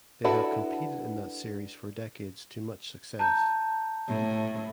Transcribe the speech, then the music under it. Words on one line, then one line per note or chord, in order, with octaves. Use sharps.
They have competed in that series for decades to much success.
D4 E4 F#4 A4 B4
A5 A#5 G6
A2